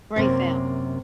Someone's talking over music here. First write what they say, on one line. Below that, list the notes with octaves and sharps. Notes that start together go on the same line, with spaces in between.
Great film.
F#2 C3 A#3